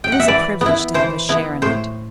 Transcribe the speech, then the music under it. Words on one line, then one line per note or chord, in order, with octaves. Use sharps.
It is a privilege to have a share in it.
G5
F#5
E5
E3 D5
B3
E4
E3 C5
B3 E4
A2 C5